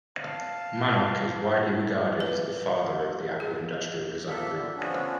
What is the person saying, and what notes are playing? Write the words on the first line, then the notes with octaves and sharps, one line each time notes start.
Manock is widely regarded as the "father" of the Apple Industrial Design Group.
F5 A5
B4
G#4
F3 A#3 A4 E5
D3 G3
D3 F3 B3 C#4 D4